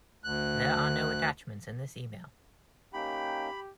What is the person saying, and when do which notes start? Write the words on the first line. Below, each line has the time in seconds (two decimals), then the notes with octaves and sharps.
There are no attachments in this email.
0.24 D2 F#6
2.93 A#3 C#4 D#4 G4 G5 B5